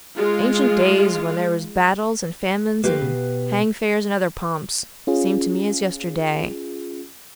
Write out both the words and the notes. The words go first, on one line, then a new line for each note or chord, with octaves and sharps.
Ancient days, when there was battles and famines and hang-fairs and other pomps, seem to me as yesterday.
G#3 F4
F3 A3 A#3 G4 B4 F5
B2
C#4 F4 G#4